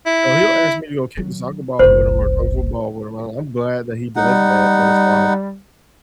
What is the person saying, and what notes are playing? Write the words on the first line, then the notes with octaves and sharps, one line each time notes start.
you know, he'll ask me to go kick the soccer ball with him or throw a football with him, and I'm glad that he does that, but it's like,
E4
D#3 F#3
F#1 C2 C5
G3 D#4 F#5